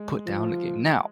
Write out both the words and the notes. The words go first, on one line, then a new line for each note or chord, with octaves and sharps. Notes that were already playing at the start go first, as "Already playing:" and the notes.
put down a game. Now,
Already playing: G#3
F3